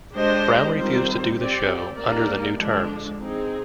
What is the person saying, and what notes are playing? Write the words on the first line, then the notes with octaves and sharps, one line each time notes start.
Brown refused to do the show under the new terms.
G#3 D4 G4 C5 D#5
D#3 G3 C4 F4 C5
C4 G4 D5
A#3 D#4 G4 A#4 D5
D3 F3 G#3 D4
C4 D#4 G#4